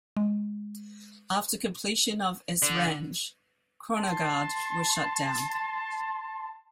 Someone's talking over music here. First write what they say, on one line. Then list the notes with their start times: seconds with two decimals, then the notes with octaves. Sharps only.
After completion of Esrange Kronogard was shut down.
0.17 G#3
2.62 D3
3.97 A5 C6